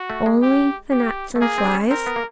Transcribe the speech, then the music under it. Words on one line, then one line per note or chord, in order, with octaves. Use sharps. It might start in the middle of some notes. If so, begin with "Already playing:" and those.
Only the gnats and flies?
Already playing: F#4
A3
G#3
G4
G4
A3
A#3 G#4
C4
D4
C#4
C4 A#4
B3
A#3